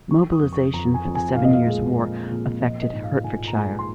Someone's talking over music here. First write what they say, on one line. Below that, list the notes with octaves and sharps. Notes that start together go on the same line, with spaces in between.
Mobilisation for the Seven Years' War affected Hertfordshire.
F3 C#6
D#6
F2
C#6
F2 A#5
G#5
F2
G#5
A#2 F5
D#5
F5
G#3
A#2
A#2
F3 D#5
D#5
G#2
F5
G#2 G#5
A#5
G#3 G#5
C6